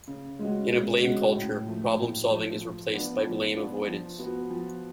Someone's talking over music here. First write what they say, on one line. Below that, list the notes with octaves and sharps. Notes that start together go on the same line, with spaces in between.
In a blame culture, problem-solving is replaced by blame-avoidance.
C#3
G#3 C#4 F#4
C#3
G#3 C#4 F#4
A2
F3 A3
A2
F3 A3
F3
B3 D4 F4
F3
B3 D4 F4
F3
B3 F#4
F3